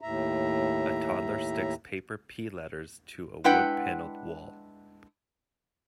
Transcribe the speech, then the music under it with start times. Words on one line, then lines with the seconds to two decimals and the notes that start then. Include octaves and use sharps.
A toddler sticks paper P letters to a wood paneled wall.
0.01 D#2 A2 E5 A#5
3.44 G#3 D4 E4 B4 F#5 G5